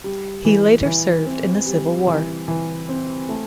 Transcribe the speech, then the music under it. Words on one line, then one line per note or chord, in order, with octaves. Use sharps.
He later served in the Civil War.
G3
E3
E3
C4
G3
E3
E3
C4
A3